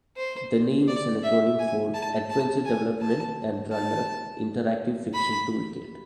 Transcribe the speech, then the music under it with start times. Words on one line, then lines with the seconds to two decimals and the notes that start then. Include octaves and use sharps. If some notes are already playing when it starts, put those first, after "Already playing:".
The name is an acronym for "Adventure Development and Runner - Interactive Fiction Toolkit".
0.17 C5
0.88 D5
1.23 E5
1.59 G#5
1.94 A5
2.30 A5
2.65 G#5
3.01 A5
3.72 A5
5.14 B5